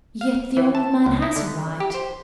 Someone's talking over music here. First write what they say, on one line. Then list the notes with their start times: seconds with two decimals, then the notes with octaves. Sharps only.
Yet the old man has a right.
0.21 F5
0.57 E3
0.75 A5
1.06 C#2
1.22 E4
1.36 D3
1.80 G4
1.94 C5